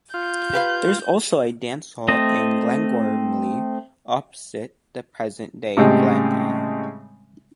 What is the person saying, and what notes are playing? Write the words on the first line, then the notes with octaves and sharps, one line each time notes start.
There is also a dance hall in Glengormley, opposite the present day Glen Inn.
F4 G6
G4 B4 F5
A3 C4 D#5
A2 C#3 G3 G#3 C4